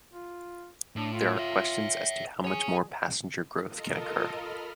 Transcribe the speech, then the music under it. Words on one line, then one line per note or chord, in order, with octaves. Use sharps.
There are questions as to how much more passenger growth can occur.
F4
A2 D4
F4
C#5 E5
G#4 C#5 G#5
F4 A4 A#4 D#5
B5 F6